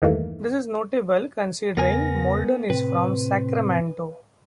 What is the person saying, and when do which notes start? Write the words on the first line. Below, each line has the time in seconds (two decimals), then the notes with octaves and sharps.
This is notable considering Molden is from Sacramento.
0.02 E2 G2 D#3 E3 A3 A#3
1.77 E2 C#3 B3 A#4 G#5 A#6
2.70 A2 C3 C4 B4